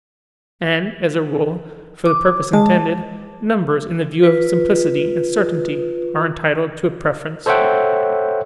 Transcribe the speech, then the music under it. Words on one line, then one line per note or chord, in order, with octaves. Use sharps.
And, as a rule, for the purpose intended, numbers, in the view of simplicity and certainty, are entitled to a preference.
D6
G#3 A5
F4 B4
A4 C5 C#5 E5 F#5 G5